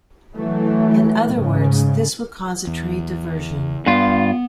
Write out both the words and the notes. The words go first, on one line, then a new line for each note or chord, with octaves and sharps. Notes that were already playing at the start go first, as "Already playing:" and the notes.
In other words, this would cause a trade diversion.
E3 F#3 A3
G#2 C#3
E2
G2 B3 F4